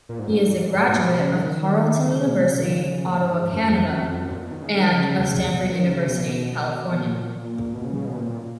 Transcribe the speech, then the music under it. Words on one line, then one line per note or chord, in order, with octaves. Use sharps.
He is a graduate of Carleton University, Ottawa, Canada, and of Stanford University, California.
A#2
G#2
F#2
G#2
B2
C#3
D#3
C#3
B2
C#3
D#3
C#3
A#2
G#2
F#2
F2
F#2
F2
F2
F#2
A#2
B2
D#3
C#3
D#3
C#3
B2
D#3
C#3
C#3
B2
B2
B2
A#2
B2
C#3
C#3
B2
A#2
A#2